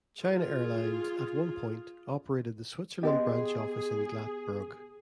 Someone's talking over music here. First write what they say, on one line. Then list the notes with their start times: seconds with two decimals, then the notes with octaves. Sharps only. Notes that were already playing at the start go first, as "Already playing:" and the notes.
China Airlines, at one point, operated the Switzerland Branch office in Glattbrugg.
0.21 F4 G#4
3.03 B3 G4 G#4 D#5 G#5 C6